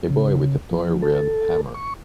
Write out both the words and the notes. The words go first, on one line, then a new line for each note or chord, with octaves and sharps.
A boy with a toy red hammer.
C#3
F3
A4
C#6